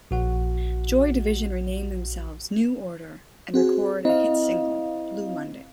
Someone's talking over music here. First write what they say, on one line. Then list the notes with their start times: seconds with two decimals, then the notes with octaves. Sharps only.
Joy Division rename themselves New Order and record a hit single, "Blue Monday".
0.11 A#1 F#4 F#5
3.54 C4 F#4 G#4
4.05 C4 E4 D#5 F5